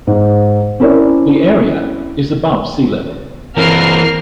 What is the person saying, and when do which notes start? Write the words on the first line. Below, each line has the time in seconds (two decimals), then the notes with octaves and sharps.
The area is above sea-level.
0.07 G#2
0.80 C4 C#4 E4 A#4 C#5 D5
3.58 E3 C4 A#4 F6 C7